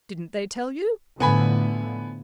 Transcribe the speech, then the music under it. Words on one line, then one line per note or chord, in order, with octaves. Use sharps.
Didn't they tell you?
A2 D3 F3 B3 G#5 B5